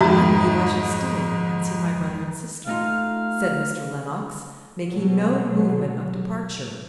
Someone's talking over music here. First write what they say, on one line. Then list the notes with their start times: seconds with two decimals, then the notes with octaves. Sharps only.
'I believe I shall stay and see my brother and sister,' said Mr. Lennox, making no movement of departure.
0.01 F2 G#2 D#3 F#4 E5 A#5
2.67 A3 D#4 F4 F5
4.89 B2 F#3